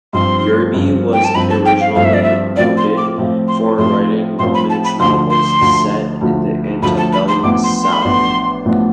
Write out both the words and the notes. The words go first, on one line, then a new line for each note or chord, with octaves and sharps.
Yerby was originally noted for writing romance novels set in the antebellum South.
G2 F3 C4 C6
G2 F3 C4
G5
A5
G2 F3 C4 B5
A5
G5
F5
G2 F3 C4 F5
E5
D5
E5
A2 F3 C4 F4 D5
C6
D6
A2 F3 C4 F4
C6
A2 F3 C4 F4 C6
A2 F3 C4 F4 C6
B5
A5
B5
D2 D3 F3 C6
C6
D2 D3 F3
D2 D3 F3
D2 D3 F3 B5
A5
B5
C6
A1 A2 F3 B3 D4 D6
C6
C6
B5
A1 A2 F3 B3 D4 C6
A1 A2 F3 B3 D4